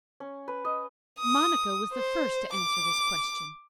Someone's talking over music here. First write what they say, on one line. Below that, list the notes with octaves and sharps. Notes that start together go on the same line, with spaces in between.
Monica was the first to answer this question.
C#4
B4
D#5
D#6
C5
D6